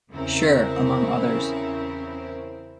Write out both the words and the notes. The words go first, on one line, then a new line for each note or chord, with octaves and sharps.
Sure!, among others.
E2 C#3 C4 E4 A#4